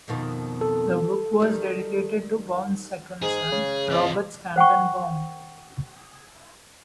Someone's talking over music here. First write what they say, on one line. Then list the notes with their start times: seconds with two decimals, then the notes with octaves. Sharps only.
The book was dedicated to Baum's second son, Robert Stanton Baum.
0.08 F2 B2 D#3
0.61 A4
1.40 D#3 G3
3.22 G#2 G#4
3.52 C#3
3.89 C3 D#5
4.56 C5 F#5 G5 C#6